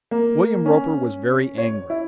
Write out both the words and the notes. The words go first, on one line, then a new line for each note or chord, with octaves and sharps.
William Roper was very angry.
A#3
C#4
C#5
E4